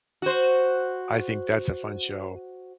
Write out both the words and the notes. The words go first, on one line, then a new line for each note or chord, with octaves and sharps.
I think that's a fun show.
F#4 C5